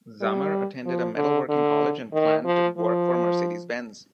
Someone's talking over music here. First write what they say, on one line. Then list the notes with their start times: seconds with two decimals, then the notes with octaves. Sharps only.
Zammar attended a metalworking college and planned to work for Mercedes-Benz.
0.21 G3
0.86 F3
1.16 D3
1.49 D3
2.13 D#3
2.45 F3
2.78 F3